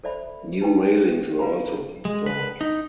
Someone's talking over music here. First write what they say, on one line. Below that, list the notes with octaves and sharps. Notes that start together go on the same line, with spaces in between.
New railings were also installed.
A4 C5 D5 E5 B5
D#4 E4 B4 G5
F#4 B4 F5 A#5 B5
G#3
B4
D#4